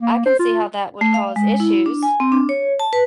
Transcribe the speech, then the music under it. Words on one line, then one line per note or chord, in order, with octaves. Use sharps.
I can see how that would cause issues.
A#3
C5
F4
A3
F5
G#3
E4
D4
G#5
C4
D4
C#5
A5
B4